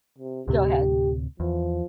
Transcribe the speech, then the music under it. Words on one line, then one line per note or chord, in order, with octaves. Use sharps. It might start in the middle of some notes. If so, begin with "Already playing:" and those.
Go ahead.
C3
D2 A2 C3 G4
E2 F3